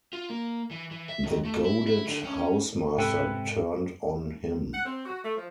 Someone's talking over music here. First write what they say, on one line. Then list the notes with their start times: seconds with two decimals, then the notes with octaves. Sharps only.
The goaded housemaster turned on him.
0.13 F4
0.30 A#3
0.71 E3
0.91 E3
1.09 E5
1.24 D#2
1.45 A3
1.65 E4
1.87 E4
2.06 D3
2.25 C#4
2.98 F2 G#2 C3 G#3 A4 B4 G5
4.74 F#5
4.85 C4
5.05 F#4
5.23 A3
5.37 F3